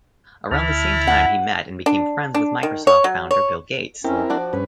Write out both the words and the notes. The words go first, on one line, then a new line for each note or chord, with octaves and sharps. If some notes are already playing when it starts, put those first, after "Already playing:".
Around the same time he met and became friends with Microsoft founder Bill Gates.
D2 E4 A5 F6
F#5
D4
D4
D#3
C#5
F#3
C#5
F2 C4 C#4 E4 G4 A#4
F3 D4 F#4 D5
G2 C#4 B4